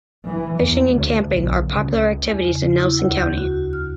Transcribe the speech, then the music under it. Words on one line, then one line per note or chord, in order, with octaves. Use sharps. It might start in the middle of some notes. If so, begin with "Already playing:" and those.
Fishing and camping are popular activities in Nelson County.
E3
E2
D2
B1
C#2
E2
C#3
E4
D2
G6
F#4
F6